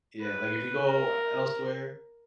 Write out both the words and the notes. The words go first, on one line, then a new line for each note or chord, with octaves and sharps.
Yeah, like, if you go elsewhere
B4
A#4